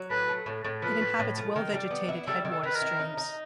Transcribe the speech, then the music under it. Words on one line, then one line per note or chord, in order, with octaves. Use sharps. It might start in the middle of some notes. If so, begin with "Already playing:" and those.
It inhabits well vegetated headwater streams.
Already playing: F#3
A2 B4
A3
A2
A2
F3 B4
A2
A2
F3
D#3
G3
B3
E4
G3 A4
D#3
A4
D#3 B4
A#4
E4
D#4
D#4